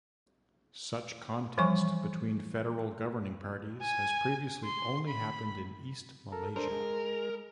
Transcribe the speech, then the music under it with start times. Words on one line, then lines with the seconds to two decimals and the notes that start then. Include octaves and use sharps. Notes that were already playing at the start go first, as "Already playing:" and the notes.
Such contest between federal governing parties has previously only happened in East Malaysia.
1.57 E3 F3 G3 G#5 C#6
3.82 G#5
4.64 C6
5.08 B5
6.32 A4 A#4
6.56 D4 A4 A#4 C5
6.71 G#3